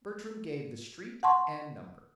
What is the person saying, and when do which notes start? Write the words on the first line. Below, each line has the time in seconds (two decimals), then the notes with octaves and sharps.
Bertram gave the street and number.
1.23 F#5 A5 C6 C#6